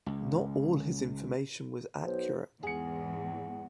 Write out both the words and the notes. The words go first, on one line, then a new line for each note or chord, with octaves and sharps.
Not all of his information was accurate.
C#2
B1 C5
E2 G#2 G#4 F#5 C#7